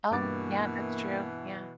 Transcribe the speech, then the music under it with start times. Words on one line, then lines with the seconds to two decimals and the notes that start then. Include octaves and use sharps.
Oh, yeah, that's true. Yeah.
0.11 G2 B2 E3 A#3 D6 A6